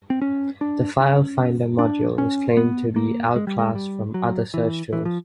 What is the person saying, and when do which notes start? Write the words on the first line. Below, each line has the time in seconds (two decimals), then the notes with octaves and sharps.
The file finder module is claimed to be "outclass" from other search tools.
0.10 C4
0.22 C#4
0.61 D4
1.00 C#4
1.79 D4
2.18 C#4
2.57 B3
2.96 A#3
3.36 G#3
3.47 G3
3.59 G#3
3.75 G3
4.14 F#3
4.54 E3
4.93 E3
5.05 F3